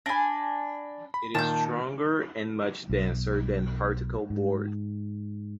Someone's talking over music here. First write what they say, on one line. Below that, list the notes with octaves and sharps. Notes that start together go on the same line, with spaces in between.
It is stronger and much denser than particle board.
D4 G#5 B5 A#6
B5
A#2 D#3 A5 G6
B1
G#2